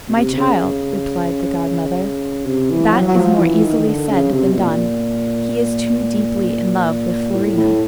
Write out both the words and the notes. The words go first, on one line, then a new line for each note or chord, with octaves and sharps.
"My child," replied the godmother, "that is more easily said than done; he is too deeply in love with Florina."
B2
C3
C3
C#3
C3
E3
F#3
F#3
F3
E3
D#3
D3
C#3
C3
B2
A#2
A2
A2